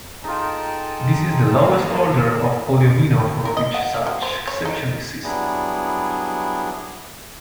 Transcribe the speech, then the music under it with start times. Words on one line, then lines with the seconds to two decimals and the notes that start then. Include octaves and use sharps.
This is the lowest order of polyomino for which such exceptions exist.
0.24 D#4 F4 G#4 A4 D#5 G5 A#5
1.58 A#3
3.45 A#4
3.57 D#5
3.74 F#5
3.94 A#3
4.07 F#3
4.23 C5
4.48 C#5
4.65 D#4
5.23 F#3 G3 B3 D4 E4 G#4